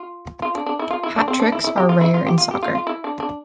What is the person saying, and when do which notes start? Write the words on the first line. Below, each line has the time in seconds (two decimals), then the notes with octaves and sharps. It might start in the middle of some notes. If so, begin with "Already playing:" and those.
Hat tricks are rare in soccer.
Already playing: F4
0.42 F4
0.55 D4
0.66 D4
0.79 E4
0.91 F4
1.03 E4
1.16 D4
1.28 C4
1.40 D4
1.52 E4
1.64 E4
1.77 G4
1.89 F4
2.01 E4
2.14 F4
2.27 G4
2.38 F4
2.51 G4
2.63 F4
2.75 F4
2.87 E4
3.04 D4
3.20 D4